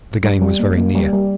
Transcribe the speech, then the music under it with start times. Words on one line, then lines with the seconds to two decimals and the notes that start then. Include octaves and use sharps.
The game was very near.
0.24 G3
0.42 G3
0.59 A#3
0.78 A#3
0.95 G3
1.13 G3